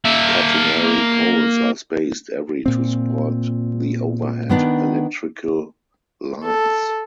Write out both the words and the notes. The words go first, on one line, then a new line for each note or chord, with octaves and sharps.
Catenary poles are spaced every to support the overhead electrical lines.
A#3 E5
A#2 C4
D#3 B3 D4
A4